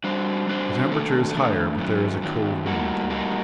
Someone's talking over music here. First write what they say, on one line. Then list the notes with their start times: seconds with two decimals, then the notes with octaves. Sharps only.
The temperature is higher, but there is a cold wind to-night.
0.04 G3 D4 F#4 C5
0.47 G3 D4 F#4 C5
0.91 D#3 A3 D4 A4
1.35 D#3 A3 D4 A4
1.78 F#2 D#3 F#3
2.22 F#2 D#3 F#3
2.66 A2 G3 A#3 D#4 F#4
3.10 A2 G3 A#3 D#4 F#4